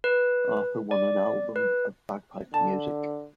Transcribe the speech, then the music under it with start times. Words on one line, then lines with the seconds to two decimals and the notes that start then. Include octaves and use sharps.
Arthur won an album of bagpipe music.
0.04 B4
0.91 D5
1.56 B4
2.54 D3 A5